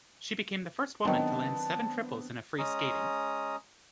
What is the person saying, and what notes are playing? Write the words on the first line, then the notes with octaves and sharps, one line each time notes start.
She became the first woman to land seven triples in a free skating.
D#3 F#3 B3 C4 D4 A5
G#3 C#4 A#5 D#6